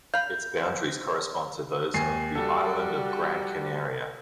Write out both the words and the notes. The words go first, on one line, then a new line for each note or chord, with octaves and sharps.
Its boundaries correspond to those of the island of Gran Canaria.
F5 B5 G6
C4
D#2 G#5 C7
G3 F#4 A4